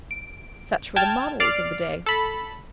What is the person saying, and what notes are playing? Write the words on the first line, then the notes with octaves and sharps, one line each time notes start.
Such were the models of the day.
D7
G5 A5 F6 G#6
D5 F6 C7 D7
A4 B5